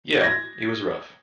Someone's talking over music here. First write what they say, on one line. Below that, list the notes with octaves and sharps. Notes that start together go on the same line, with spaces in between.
Yeah, it was rough.
G#6 A#6